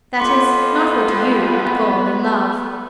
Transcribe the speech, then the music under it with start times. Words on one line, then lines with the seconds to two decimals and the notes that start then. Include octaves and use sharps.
That is, not what YOU would call in love.
0.20 F2 B3 C6 D6 C#7